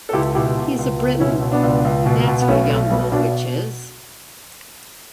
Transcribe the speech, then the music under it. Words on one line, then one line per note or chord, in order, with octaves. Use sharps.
He's a Briton, that's what young Woolwich is.
A4
C#2 E4 G4
B2 E4 G4
B2
C#2
C#2
B2 C#4 E4
B2
B3 D4
C#2
C#2
B2
B2
B3
B1 A3 C#4
B1 A3
B2 G3 B3
B2 D4 F#4